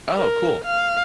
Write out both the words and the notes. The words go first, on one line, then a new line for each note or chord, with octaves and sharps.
Oh, cool.
A#4
F5